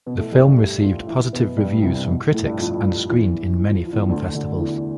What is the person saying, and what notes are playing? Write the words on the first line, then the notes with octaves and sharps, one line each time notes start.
The film received positive reviews from critics and screened in many film festivals.
B2 B3
A2 A3
G2 G3
G3 G4
F3 F4
E3 E4
B2 B3
G2 G3
C2 C3
B2
A2 A3
G2 G3
F2 F3
E2 E3
E3
F3
E3
F3
E2 E3
D2 D3
D2 D3
D3
E2 E3